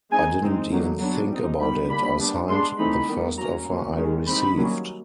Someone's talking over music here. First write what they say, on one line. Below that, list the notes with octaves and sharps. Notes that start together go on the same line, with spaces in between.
I didn't even think about it, I signed the first offer I received.
G#3 C4 D#4 G#5
G#3 C4 D#4
D3 F#3 A#3 D#4
F#3 B3 D4
G3 C4 D#4
D#3 G3 B3 B5
G3 A#3 D4 B5
G3 B3 D4
G#3 B3 D4 C6
E3 A3 C4 D#4 B5
D#3 G3 B3
F#3 A#3 C#4 A#5
F#3 A#3 C#4
D#3 G#3 C#4
G3 C4 D#4 B5
D#3 F#3 A#3 C#4